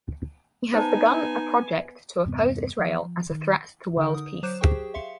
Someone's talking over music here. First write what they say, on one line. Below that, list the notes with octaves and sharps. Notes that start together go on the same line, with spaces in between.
He has begun a project to oppose Israel as a threat to world peace.
B3 D#4 C5 G#5 A5
E2 G2 C3 B3
F3
D#3
D3 D#4 A#4
D#6
F#3 C5 D6 F#6 G6 E7
G4 G#4 C5 G5 C#6
E5 F5 C6 C#7